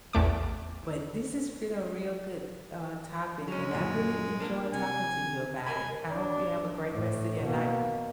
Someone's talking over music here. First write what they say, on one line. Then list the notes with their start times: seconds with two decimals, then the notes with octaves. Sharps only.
But this has been a real good, uh, topic, and I've really enjoyed talking to you about it. I hope you have a great rest of your night.
0.13 A1 E2 A3 D6
3.48 F#3 G#3 C#4
3.71 F#2 A#2 F#3
4.40 A#3 D4
4.73 C3 G#5
5.66 A#4 D#5 G#5 B5
6.12 D4
6.92 A2
7.40 B2 A#3